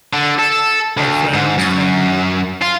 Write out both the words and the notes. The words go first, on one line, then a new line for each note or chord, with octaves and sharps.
Like, friends, family?
D3
A4
D2
G#2
F#2
F4